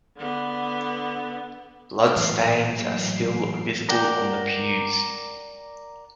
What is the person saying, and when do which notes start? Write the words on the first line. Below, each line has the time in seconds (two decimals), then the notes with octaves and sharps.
Blood stains are still visible on the pews.
0.17 D3 B3
2.05 A3 F4 A4 E6 F6 D7
2.16 A2 E3 F#3 C7 D7
3.89 A#4 D5 F#5 G5